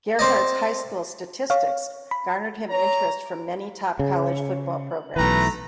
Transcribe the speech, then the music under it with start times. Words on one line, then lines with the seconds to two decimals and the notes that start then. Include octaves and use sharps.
Gerhart's high school statistics garnered him interest from many top college football programs.
0.19 C4 C5 D5 D#5
1.50 C#5 F5
2.11 B5
2.70 C#5 A#5
3.99 C#3
5.16 B1 E3 A3 B4 A#5